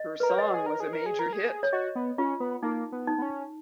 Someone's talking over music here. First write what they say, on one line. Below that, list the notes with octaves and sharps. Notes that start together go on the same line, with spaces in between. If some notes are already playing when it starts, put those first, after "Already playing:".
Her song was a major hit.
Already playing: D#5
A#4 B4
C#5
D#5
G#4
A#4
G#4
A#4
G#4
A#4
G#4
C#5
F#4 D#5
B3
C#4 F4
B3
A#3 D#4
B3
D#4
B3
C#4